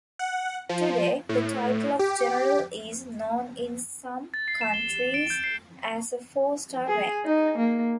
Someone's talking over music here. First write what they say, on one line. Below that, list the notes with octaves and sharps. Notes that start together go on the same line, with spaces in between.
Today, the title of "General" is known in some countries as a four-star rank.
F#5
F3
A2
G4
A6
C7
E7
G7
E7
D7
G6
C7
G#4
D#4
A#3